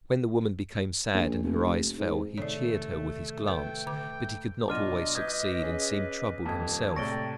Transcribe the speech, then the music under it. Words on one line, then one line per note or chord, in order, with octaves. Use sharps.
When the woman became sad and her eyes fell, he cheered her with his glance; but he could not always succeed, and seemed troubled himself.
A#1
F1
G#2
A2 C3 D#3 A3 C#5 D5
B4 G5
D3 D6
B2 F#3 D4 F4 D#5 D6 F6 D#7
B4 D#6 G6 G#6
C#4 G#4
D#1 F2 A5 G#6
A2 C3 C#5 D5 C#6 A#6 D7 G7
G5